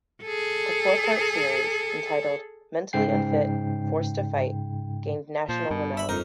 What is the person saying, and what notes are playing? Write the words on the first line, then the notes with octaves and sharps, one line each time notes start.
The four-part series, entitled "Mentally Unfit, Forced to Fight", gained national renown.
G#4 A4
G#2 C#3 G5 C7
A#2 F3
G2 B2
E5 B5
F2 D#4 A#4